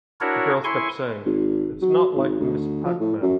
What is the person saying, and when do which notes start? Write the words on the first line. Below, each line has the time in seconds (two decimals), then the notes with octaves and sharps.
The girls kept saying, "It's not like Ms. Pac-Man".
0.21 D4 E4 F#4 A#4 C#5
0.64 E4 G#5 C6 C#6
1.25 G#1
1.82 F#3
2.16 G#1
2.40 D2
2.85 F3
3.00 A2
3.22 F#2